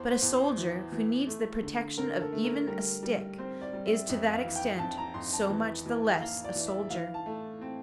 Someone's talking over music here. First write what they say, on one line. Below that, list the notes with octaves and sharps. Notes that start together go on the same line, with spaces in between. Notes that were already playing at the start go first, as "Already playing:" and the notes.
But a soldier, who needs the protection of even a stick, is to that extent so much the less a soldier.
Already playing: E2 C5
C5
E2
C5
E3
E3
A3
D3
D3 A#4
A4
A3
A#4
G3 A#4
G3
C4 C5
D5
G3
E5
F2 E5
F5
E3
G5
F2 A5
A#5
F2 C6
A5
E3
E3
A#3 F5
D5
E3
E5
E3 F5
A5
A3
C4